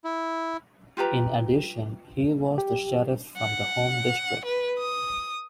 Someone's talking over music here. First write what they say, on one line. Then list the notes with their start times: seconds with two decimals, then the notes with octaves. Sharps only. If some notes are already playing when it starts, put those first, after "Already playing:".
In addition he was the Sheriff for the Home District.
0.04 E4
0.97 F4 G4 B4 A#5
2.58 G4
3.38 F#5
4.45 B4
4.79 D#6